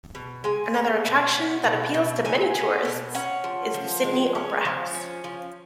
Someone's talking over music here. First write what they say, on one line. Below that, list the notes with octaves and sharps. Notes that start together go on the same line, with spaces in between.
Another attraction that appeals to many tourists is the Sydney Opera House.
B2
G#3 G#5
C#4
B2
B3
B2
B2
F#3 G#5
B3
B2
C#4 F#5
F3
F3
G#3
C#4
F3
C#4
F3